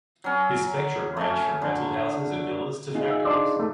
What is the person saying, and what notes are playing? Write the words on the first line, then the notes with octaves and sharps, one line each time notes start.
His spectrum ranged from rental houses and villas to factories.
F#3 C#4
A3 C#4
D3
D#4 F4 G#4
E5
D4 C5 D5
A3